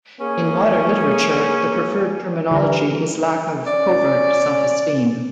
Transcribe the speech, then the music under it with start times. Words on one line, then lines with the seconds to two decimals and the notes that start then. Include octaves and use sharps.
In modern literature, the preferred terminology is "lack of covert self-esteem".
0.20 A#3 C#4 G#4
2.51 D3 E3 G3 E4 A#4
3.67 C#4 D5